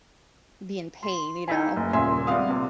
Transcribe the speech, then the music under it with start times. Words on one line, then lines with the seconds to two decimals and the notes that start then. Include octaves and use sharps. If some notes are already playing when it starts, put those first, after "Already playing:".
be in pain, you know?
1.03 C6
1.48 D#4 E4 G#5
1.76 F#1
1.93 D#1 A#2 C#3 E5 G#5 C6
2.27 G3 G#3 B3 C4 F5 D#6
2.48 A#1 C3